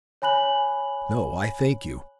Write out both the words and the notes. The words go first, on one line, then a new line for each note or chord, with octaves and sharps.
"No, I thank you."
C#5 G#5 B5 F#6 F#7